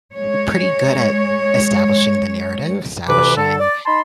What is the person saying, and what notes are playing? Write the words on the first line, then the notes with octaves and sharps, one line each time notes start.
m pretty good at establishing the narrative, establishing,
G#3 C#5
D2 C3 E3 B4 D6
D3 A4
D5
D#4 A5 B5 C6